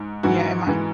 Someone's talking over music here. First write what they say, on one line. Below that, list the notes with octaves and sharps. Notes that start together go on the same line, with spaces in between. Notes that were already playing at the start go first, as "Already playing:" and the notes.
Yeah, it might.
Already playing: G#2
G#2 E3 F#4
G#2 E3